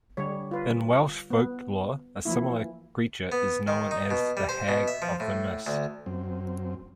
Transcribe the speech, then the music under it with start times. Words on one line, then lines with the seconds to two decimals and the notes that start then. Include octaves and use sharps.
In Welsh folklore, a similar creature is known as the hag of the mist.
0.17 D3 G3 C#5
0.51 F4 B4
1.30 B3
2.25 E3 F3 A#3 E4
3.32 B3
3.67 D#3
3.91 D#4
4.11 B2
4.37 G3
4.49 C5
4.68 B2
4.88 E5
5.02 F3
5.20 A2
5.67 D2
6.06 F#2 C4